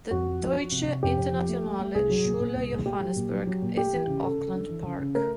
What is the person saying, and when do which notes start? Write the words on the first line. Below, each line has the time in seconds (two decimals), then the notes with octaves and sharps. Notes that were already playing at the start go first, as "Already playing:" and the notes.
The "Deutsche Internationale Schule Johannesburg" is in Auckland Park.
0.11 F2 F#4
0.26 F3
0.41 F3
0.57 F3
0.72 C3
0.87 C3
1.03 F2 G4
1.17 F2
1.33 F3
1.49 A3
1.64 A3
1.79 A3
1.95 C2 G#4
2.10 F#3
2.25 A#2
2.40 A#2
2.55 C2
2.71 A#2
2.86 A3 G4
3.00 F#3
3.16 A#2
3.32 F#3
3.47 F#3
3.62 A#2
3.77 A3 G4
3.93 E3
4.07 C#3
4.23 C#3 A4
4.38 C#3
4.54 D4
4.69 E3
4.85 C#3
4.99 C#3
5.15 A3 A#4